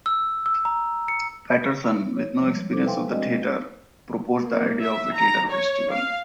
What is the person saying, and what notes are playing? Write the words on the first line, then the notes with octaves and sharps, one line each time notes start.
Patterson, with no experience of the theatre, proposed the idea of a theatre festival.
E6
E6
A#5
C#7
C#5
F3 G3 G#3
D#4 A4 C5 D6
B4 E5 F5 G5 G#5 C6
G#3 C4 D4 F#4 D5 D#5
A#3
E5
A#5
C#5
F5